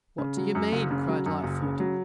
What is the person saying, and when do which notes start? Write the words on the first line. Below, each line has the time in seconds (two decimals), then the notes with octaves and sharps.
"What do you mean?" cried Lightfoot.
0.18 C#3
0.37 F#3
0.55 F#2
0.72 F#1
0.91 C#3
1.08 F#3
1.26 F#2
1.44 F#1
1.62 C#3
1.80 F#3